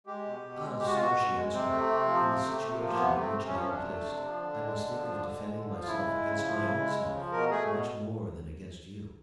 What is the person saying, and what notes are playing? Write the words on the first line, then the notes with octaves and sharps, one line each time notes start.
"Ah, sir!" she answered, "in the situation in which I am placed, I must think of defending myself against my own self much more than against you."
G#3 G4
B2
B2
G#3
G#3 G4
F#4
F4
B2 F#4
B2
G#3
C3 C4
A3
C3
F3
C3
A3
C3
F3
A#3
C3 B3
A3 C4
C3
C#4
F3
C#4
C3 D4
A3
C3
F3
D3
G#3
D3
F3
D3
G#3
D3
F3
F4
C#3 E4
G#3
C#3
F3
C#3
G#3
C#3
F3
B2 A#4
A3 G#4
B2